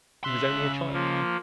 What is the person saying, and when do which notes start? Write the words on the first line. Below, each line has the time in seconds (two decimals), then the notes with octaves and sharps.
She was only a child.
0.24 C#3 E5 C6 F#6
0.93 F3 A#3